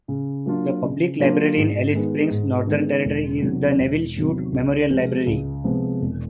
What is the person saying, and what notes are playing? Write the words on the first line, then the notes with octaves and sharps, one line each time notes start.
The public library in Alice Springs, Northern Territory is the Nevil Shute Memorial Library.
C#3
F#3 A#3 D4 F4
C#3
F#3 A#3 D4 F4
G#2
D#3 G#3 B3 D#4
G#2
D#3 G#3 B3 D#4
E1
E2 C3 D#3 F#3
E1
E2 C3 D#3 F#3
C#2
C3 F3 G#3 B3
C#2
C3 F3 G#3 B3
E1